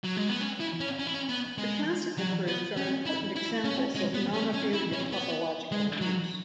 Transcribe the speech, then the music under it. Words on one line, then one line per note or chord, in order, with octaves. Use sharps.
The classical groups are important examples of non-abelian topological groups.
F#3
G#3
B3
C#4
E4
C#4
C#4
E4
C#4
B3
G#3
F#3
B3
C#4
E4
E4
C#4
G#3
B3
C#4
C#4
E4
C#4
B3
G#3
F#3